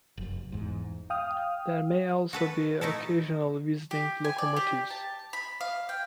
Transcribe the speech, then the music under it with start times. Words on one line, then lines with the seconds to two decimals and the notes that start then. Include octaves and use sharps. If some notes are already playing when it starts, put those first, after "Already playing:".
There may also be occasional visiting locomotives.
0.17 F1 F#2
0.52 E2 G#2
1.10 F5 G5 D#6 F6
2.33 F#4 A4 B4
2.81 A3 D#4 E4 A4
3.91 G4
4.24 G#5
4.38 D5
4.57 G4
4.91 A5
5.33 B5
5.61 F5
5.89 G5